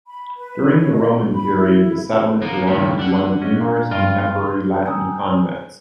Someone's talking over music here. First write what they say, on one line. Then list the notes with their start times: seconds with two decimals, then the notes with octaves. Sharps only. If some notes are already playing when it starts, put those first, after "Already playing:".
During the Roman period the settlement belonged to one of numerous contemporary Latin convents.
0.07 B5
0.37 B4
0.78 C#5
0.92 D#5
1.13 F#4
1.32 B5
1.56 E4
2.42 A#3 B3
2.67 D#2 A2 C#3 G4 G#5
2.99 D4 F#5
3.42 C#4 D#5
3.61 A#2
3.91 G2 F4 D5 D#5
4.86 G5 G#5 A#5 D#6 E6 G6